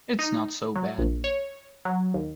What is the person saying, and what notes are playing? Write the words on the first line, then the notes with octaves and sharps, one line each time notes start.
It's not so bad.
D#4
F#3
A#1
C#5
F#3
D#2